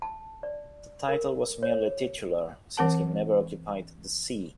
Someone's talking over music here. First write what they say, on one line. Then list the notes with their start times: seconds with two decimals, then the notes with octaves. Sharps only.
The title was merely titular since he never occupied the See.
0.02 A5
0.43 D5
1.08 A#4
1.63 C#5
2.77 E3 C4 A#4 F#5 A5